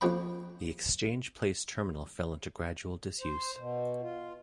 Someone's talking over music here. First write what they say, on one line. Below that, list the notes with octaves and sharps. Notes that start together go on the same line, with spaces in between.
The Exchange Place terminal fell into gradual disuse.
F2 F3 A#3 C#4 G5 B5
C5
B2
F4